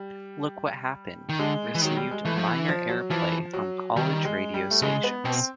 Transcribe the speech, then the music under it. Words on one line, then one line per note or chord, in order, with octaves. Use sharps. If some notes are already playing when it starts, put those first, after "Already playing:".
"Look What Happened" received minor airplay on college radio stations.
Already playing: G3
D#3
D3 G#3
E3
D#3 F#3
G3
G#3
E3 A3
F3
E3
F3
F#3
E3 F3
F#3
D#3 G3
G#3
G3
A3
C#3 G#3
B3
B2 C4